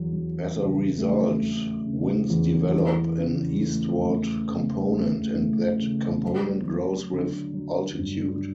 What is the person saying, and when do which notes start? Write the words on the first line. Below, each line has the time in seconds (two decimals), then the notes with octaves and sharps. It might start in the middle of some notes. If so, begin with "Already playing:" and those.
As a result, winds develop an eastward component and that component grows with altitude.
Already playing: E2 F#3
0.13 F#3
0.56 C#3
0.99 A3
1.43 A3
1.86 C#3
2.30 E2
2.74 E3
3.18 C#3
3.61 A3
4.05 A3
4.49 C#3
4.92 A3
5.35 A3
5.79 C#3
6.23 F#3
6.66 F#3
7.10 D3
7.54 F#3
7.97 G2